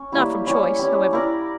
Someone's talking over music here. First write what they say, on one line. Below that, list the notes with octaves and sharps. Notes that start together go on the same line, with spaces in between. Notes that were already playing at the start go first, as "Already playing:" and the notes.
Not from choice, however.
Already playing: C#4
G3 A#3 E4 G4
G3 C#4 E4
G3 C#4 E4
E4 A#4 D5